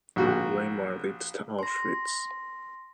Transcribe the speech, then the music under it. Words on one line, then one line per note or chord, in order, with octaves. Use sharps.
Weimar leads to Auschwitz.
A#1 F#4
C6 A#6